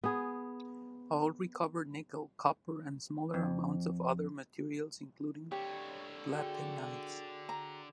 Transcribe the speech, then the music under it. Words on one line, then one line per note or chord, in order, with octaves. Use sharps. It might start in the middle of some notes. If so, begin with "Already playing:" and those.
All recovered nickel, copper, and smaller amounts of other materials including platinides.
B3 G#4
F2
D3 G4 C#5
F#4 G#4 G5
A#5